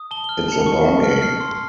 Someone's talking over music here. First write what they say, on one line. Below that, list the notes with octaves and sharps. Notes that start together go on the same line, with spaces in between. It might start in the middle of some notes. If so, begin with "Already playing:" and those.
It's a bargain!
Already playing: D#6
A5 G7
F6 G7
A5 C#7
C#6
A5
F6
F6 C7
C6